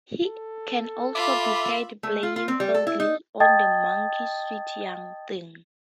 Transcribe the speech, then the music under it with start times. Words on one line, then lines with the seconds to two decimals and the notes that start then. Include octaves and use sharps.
He can also be heard playing fiddle on the Monkees' "Sweet Young Thing".
0.24 A4
1.15 F4 E5 B5 D6
2.03 A3
2.23 F4
2.36 F4
2.48 C4
2.60 G3
2.74 A4
2.87 E4
3.00 D#4
3.40 D#5 G5 A5 D#6 G#6 A6